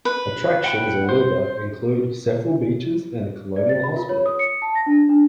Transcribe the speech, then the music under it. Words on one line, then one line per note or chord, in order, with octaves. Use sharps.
Attractions in Luba include several beaches and a colonial hospital.
B4
F#5 G5 B5
C5
D5
A6
B5
F4
C#5
D#6
C#7
A5
A#6
D4
D4